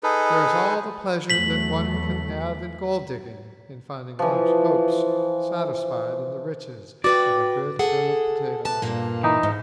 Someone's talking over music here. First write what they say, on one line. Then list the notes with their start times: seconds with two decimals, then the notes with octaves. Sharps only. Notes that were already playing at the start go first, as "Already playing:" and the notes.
There is all the pleasure that one can have in gold-digging in finding one's hopes satisfied in the riches of a good hill of potatoes.
0.03 D#4 G#4 A4 B4
1.30 E2 F#3 A3 B6 F#7
4.19 E3 F3
7.04 F#4 B4 D5 G5
7.79 G#4 A4 F#5
8.65 C3 B4 A5
8.82 G2 A#2 A#3
9.23 E3 D#4
9.43 G#2